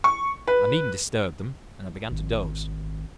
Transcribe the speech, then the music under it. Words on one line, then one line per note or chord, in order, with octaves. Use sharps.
I needn't disturb them; and I began to doze.
C#6
B4
G#1